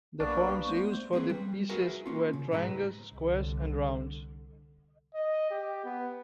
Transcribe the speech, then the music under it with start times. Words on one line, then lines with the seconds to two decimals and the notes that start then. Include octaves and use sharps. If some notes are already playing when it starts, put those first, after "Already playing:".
The forms used for the pieces were triangles, squares, and rounds.
0.20 B1 G3 A#3 B3 D4 C#6
0.67 A3 B3 C5
1.13 A#3 C4 D#4 G#4 B4
1.30 G3
1.69 E4 F#4 G#4 A#4 B4
2.06 A#3 C#4 F4
2.33 C#3
2.51 B1 G#2 G#3 E4 B4 A#5
3.14 C2 D3
5.14 D#5
5.51 G4
5.85 B3